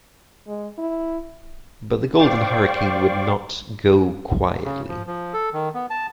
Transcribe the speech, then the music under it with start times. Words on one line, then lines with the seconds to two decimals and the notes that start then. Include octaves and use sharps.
But the Golden Hurricane would not go quietly.
0.47 G#3
0.78 E4
2.19 C5 D5 F5 G5 C#6 D6
4.65 C#3
4.89 F3
5.07 F3
5.33 A4
5.53 D#3
5.74 B3
5.90 A5